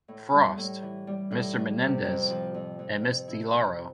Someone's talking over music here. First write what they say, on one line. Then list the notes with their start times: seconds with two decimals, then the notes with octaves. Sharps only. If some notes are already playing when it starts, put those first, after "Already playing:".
Frost; Mr. Menendez; and Ms. DeLauro.
0.08 A2
0.33 G3
0.57 A2
0.83 E3
1.07 G3
1.31 A2
1.56 E3
1.81 C3
2.05 F2
2.30 F3
2.54 F2
2.79 F2
3.04 F2
3.28 E4
3.52 F2